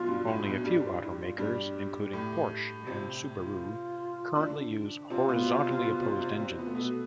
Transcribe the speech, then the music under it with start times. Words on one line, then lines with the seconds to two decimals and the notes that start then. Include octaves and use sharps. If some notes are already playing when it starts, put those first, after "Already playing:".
Only a few auto makers, including Porsche and Subaru, currently use horizontally opposed engines.
Already playing: B1 B2 F4
0.08 G2
0.27 A2
0.45 B1 B2
0.64 G2 G3 G4
0.82 F4
1.02 E4
1.11 G4
1.20 F4
1.38 G2 G3 G4
2.13 A2 A3
2.79 G4
2.87 C3 C4 F4
3.36 F4
4.35 D3 D4
5.09 C3 C4 F4
5.28 B2 B3
5.47 C3 C4
5.66 C3 C4
5.84 B2 B3
6.02 C3 C4
6.21 C3 C4
6.40 C3 C4
6.50 E4
6.59 B3 F4
6.66 A3
6.75 B2 B3 A4